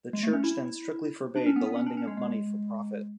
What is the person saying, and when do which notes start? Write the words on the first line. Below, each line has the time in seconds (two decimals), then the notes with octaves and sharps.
The Church then strictly forbade the lending of money for profit.
0.13 G#3
0.23 A3
0.33 C#4
0.44 E4
1.36 D4
1.46 C#4
1.56 B3
1.66 B3
1.76 C#4
1.86 D4
1.97 C#4
2.07 G#3
2.17 G#3